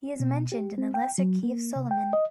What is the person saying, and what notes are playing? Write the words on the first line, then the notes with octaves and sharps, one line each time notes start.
He is mentioned in The Lesser Key of Solomon.
B2
G4
C4
G5
F#3
A#3
C3
G5
D#5